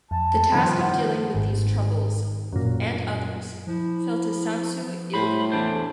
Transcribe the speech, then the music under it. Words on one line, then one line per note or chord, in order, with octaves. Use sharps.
The task of dealing with these troubles-and others-fell to Samsu-iluna.
F2 A5
G1 D#3 F3 B5 G#6
E4 F#5
G#1
F#2 A#2
F3 E4
A2 C5 B5
E2 D4 C5